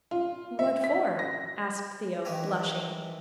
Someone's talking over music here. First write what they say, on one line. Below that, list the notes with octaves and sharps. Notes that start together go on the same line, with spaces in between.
"What for?" asked Theo, blushing.
F4
E5
B6
A#6
D#3 E3 E4 G4 G#5 A#5